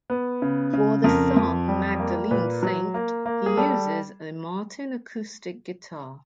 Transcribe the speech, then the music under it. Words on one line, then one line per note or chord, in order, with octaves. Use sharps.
For the song, "Magdalene Saint" he uses a Martin acoustic guitar.
B3
C#3
C#3
F2 A#4
F2
G3
A#3
A#2 B4
F#3
A#3
A#3
G#4
G3 A4